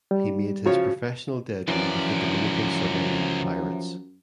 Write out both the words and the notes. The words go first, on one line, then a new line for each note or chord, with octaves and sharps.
He made his professional debut with the Dominican Summer League Pirates.
G3
C#3 F3 F#4 C#5
C#2 F#2 E3 F3 D5